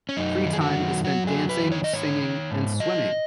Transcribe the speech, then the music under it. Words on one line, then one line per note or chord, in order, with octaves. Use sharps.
Free time is spent dancing, singing and swimming.
C#4
F#2 D#4
D#3
G#4
F#4
F#2
F#3 F#4
G#4
F#2
B4
D#3
C#5
D#5
G#2 C#5
D#3
G#2
F#3 D#5